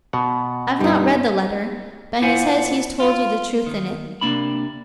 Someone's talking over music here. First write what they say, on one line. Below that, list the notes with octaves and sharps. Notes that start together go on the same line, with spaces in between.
I've not read the letter, but he says he's told you the truth in it.
B2 F#5
G2 G3 D#4
A#2 E4 C5 F5 F#5 G#5
F4
D#3
C3 A#3 D4 B5